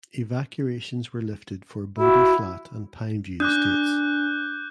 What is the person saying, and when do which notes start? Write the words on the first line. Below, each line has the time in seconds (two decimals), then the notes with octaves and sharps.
Evacuations were lifted for Bodie Flat and Pine View Estates.
1.99 E4 F#4
3.40 D4 D6 F#6 G6